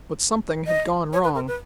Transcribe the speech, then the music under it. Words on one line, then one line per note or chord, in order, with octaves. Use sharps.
But something had gone wrong.
D#5
C#5
B4
A#4
B4